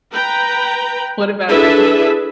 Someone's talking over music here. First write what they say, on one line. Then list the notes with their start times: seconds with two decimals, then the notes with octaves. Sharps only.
What about you?
0.12 B4 G5 A#5
1.49 D4 E4 G#4 A4 B4 E5